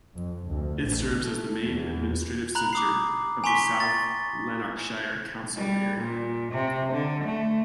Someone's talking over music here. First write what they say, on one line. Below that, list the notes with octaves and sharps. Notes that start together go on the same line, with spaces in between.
It serves as the main administrative centre of the South Lanarkshire council area.
F2
D2
A1
A3
E2
A#5 B5 F#6 F#7
D6 D#6 C7
G#5 A#5 C6 C#6 B6 G7
A6
G3
A#2
C3
D3
A3